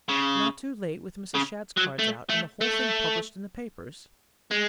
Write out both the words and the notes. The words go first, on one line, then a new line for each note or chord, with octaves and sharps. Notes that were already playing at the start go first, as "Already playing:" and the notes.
"Not too late with Mrs. Shadd's cards out and the whole thing published in the papers?"
C#3
C#3
F#3
A3
A3
A3
G#3